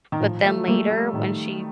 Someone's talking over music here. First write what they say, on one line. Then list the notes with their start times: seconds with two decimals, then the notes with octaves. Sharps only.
but then later, when she
0.12 D#3
0.21 A2 F3
0.45 A3
0.68 G3 A3 A#3
0.90 G3
1.14 A2 D#3